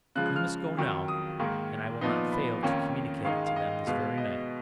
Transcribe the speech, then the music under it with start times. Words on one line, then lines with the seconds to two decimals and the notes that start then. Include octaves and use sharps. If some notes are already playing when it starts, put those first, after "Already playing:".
"We must go now, and I will not fail to communicate it to them this very night."
0.15 C#3 F3 G#3 F#6
0.26 F#6
0.36 F6
0.77 F2 D#3 F#3
1.08 D#6
1.39 G#2 D#3 A#3
2.01 A#2 F3 B3 D#4
2.32 B5
2.63 F2 D#3 A#3 C#4
3.25 G#2 D#3 G#3 D#4 F5
3.47 F5
3.56 D#5
3.87 B2 G#3 B3 F5
4.18 D#5